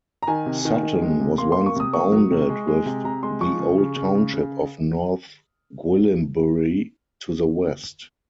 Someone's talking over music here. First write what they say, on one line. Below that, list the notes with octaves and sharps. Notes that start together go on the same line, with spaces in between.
Sutton was once bounded with the old township of North Gwillimbury to the west.
A#5
D#3 G#5
C3
D#3
D#3
G#3
C3
A#3 C6
C6
A#3
C#6
C3 D#6
A#3 C#6
F#3
C3
G#3
G#3
C3
C3 A#5
G#3 C6
F3 C#6
C#3
C#3
C#3
C#3
C#3